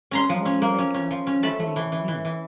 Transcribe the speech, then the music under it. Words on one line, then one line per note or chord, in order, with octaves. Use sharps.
"And what do you make out that you've made of me?"
C#4 A#5 C6
F3
C#4
A#3
C#4
C#4
F3
C#4
A3 A5 B5
A3
E3
E3
E3
E3